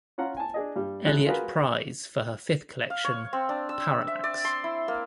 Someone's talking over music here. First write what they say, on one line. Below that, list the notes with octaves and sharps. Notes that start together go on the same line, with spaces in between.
Eliot Prize for her fifth collection "Parallax".
C#4 F4 F#5 A#5
G#5 A5
D4 G#4 D#5
G2 G3
A1 G#3 F#6
F4 F#4 G#4 A#4 B4
F5
C#5
C4
D4
E6
E5
D5
C6
E4
A#3